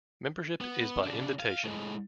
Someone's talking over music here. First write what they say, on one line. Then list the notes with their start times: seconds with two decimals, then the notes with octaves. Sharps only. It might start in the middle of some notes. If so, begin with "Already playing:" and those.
Membership is by invitation.
0.61 B3
1.03 C#3 D4
1.39 F5
1.65 A2 G#3